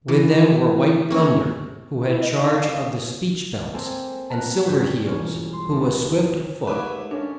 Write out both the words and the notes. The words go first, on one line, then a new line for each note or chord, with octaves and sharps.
With them were White Thun-der, who had charge of the "speech-belts," and Sil-ver Heels, who was swift of foot.
E3
A#3 C#4
E4
D#5
D#4
F5
A#3 C4 A4 G#5
A5 A#5 F6 F#6
G2 F4 C#5 G6 G#6 B6
E1 C#4 F6
C6
D#2 B3
D#2 G#2 A3 B4 C#5 D6
C#4 D4 A4